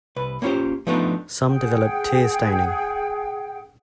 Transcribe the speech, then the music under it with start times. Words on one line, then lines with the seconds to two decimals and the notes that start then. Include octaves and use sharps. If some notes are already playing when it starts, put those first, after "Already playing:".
Some develop tear staining.
0.16 C2 B4
0.42 A#3 B3 C#4 F4 G4 C5
0.87 F3 A3 B3 D4 D#4 F4
1.49 G#4 F#5 G5